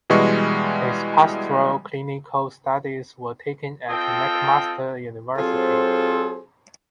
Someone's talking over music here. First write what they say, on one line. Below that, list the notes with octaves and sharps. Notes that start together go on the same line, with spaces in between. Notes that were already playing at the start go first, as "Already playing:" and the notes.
His pastoral clinical studies were taken at McMaster University.
B2 E3 G3 G#3 C#6
C4 F4 A4 D#5 G5
F#3 C4 F4 G#4 A4 C5